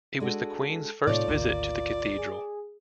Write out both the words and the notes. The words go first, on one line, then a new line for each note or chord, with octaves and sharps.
It was the Queen's first visit to the Cathedral.
G#3 D4 F#4 A4
A2 C3 D#4 F4 A4 C#5 D5
G#1 D2 A#3
G#4